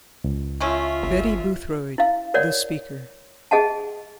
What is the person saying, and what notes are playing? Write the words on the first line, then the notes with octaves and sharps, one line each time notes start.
Betty Boothroyd, the Speaker.
C#2
G#3 A3 C#4 F4 E5
G1
E4 F5
A#4 C#5 D5 F#5
G#4 D#5 F#5 A5